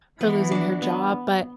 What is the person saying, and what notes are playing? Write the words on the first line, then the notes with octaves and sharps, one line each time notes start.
her losing her job, but,
E3 B3
D4 F#4
B3